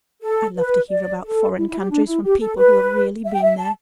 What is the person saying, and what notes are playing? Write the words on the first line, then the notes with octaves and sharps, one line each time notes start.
I love to hear about foreign countries from people who have really been there.
A4
B4
D5
A4
E4
E4
G4
D4
E4
G4
A4
B4
E5
G5
E5
A5